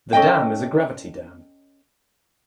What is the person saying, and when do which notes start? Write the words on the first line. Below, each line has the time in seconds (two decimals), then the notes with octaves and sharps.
The dam is a gravity dam.
0.13 C#4 A4 D#5 G5